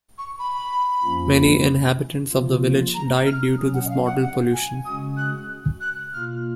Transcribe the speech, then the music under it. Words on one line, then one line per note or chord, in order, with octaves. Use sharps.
Many inhabitants of the village died due to this mortal pollution.
C#6
B5
F2 F3 A#3 C#4 F4
C#3 F3 A#3 F4
A#5
F6
B2 F#3 C#4 D#6
F#5
D#5
F5
F#5
F#5
G#5
C#3 G#3 C#4 F#4 D#6
F#6
F#6
B2 A#3 F4 F6